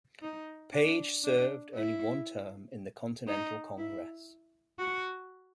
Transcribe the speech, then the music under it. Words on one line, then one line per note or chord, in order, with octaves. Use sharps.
Page served only one term in the Continental Congress.
D#4
D4
D4
E4
D#4
E4
F#4